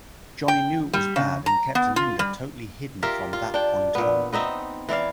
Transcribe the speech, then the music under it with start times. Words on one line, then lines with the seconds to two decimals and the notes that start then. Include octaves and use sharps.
Johnny knew it was bad and kept Linda totally hidden from that point on.
0.48 G5
0.93 G3
1.16 C#3
1.46 A#5
1.75 B3
1.96 F4
2.19 G3
3.03 F4 G4 A#4 E5
3.33 F4
3.54 D4 G5
3.95 A#2 B3
4.33 B3 C4 D#4 E5
4.89 E3 E4 D5 F5